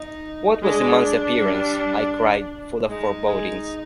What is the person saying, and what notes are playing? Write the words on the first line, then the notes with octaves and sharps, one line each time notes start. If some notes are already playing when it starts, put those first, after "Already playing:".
"What was the man's appearance?" I cried, full of forebodings.
Already playing: D#4
G#3 D4
G3
G#3 D#4
G#3